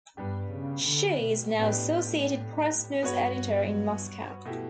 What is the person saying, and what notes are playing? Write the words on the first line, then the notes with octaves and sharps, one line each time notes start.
She is now Associated Press news editor in Moscow.
G2 G3 B3 D4 G4
C#3
D3
B2
A2 B3 D4 G4
G2 B3 F#4 C#5
B2 A3 E4 G4